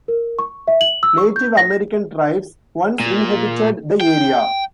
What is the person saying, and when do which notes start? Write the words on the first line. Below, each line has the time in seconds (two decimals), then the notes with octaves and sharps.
Native American tribes once inhabited the area.
0.08 A#4
0.39 C#6
0.68 E5
0.81 F#7
1.03 E6
1.18 C#6
1.36 G6
1.57 A#6
3.00 A#2
4.01 G5